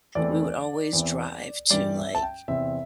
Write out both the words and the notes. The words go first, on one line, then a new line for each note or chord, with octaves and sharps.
we would always drive to, like,
E2 E3 A3 C4 D5
E2 E3 C4 E4
G2 E3 G3 D5
E5
A5
G5
E2 C3 E3 C4 E5